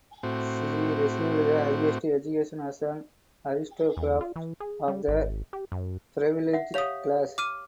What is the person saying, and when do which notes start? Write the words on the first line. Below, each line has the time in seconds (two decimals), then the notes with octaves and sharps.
She received the highest education as an aristocrat of the privileged class.
0.23 A2 C4 F#4
3.97 E2
4.21 F4
4.36 E3
4.60 G#4
4.88 G3
5.08 G#1
5.53 G4
5.72 F#2
6.53 E5 F#5
6.74 G4 C#5 F5 D#6 F7
7.38 D6 F6 D#7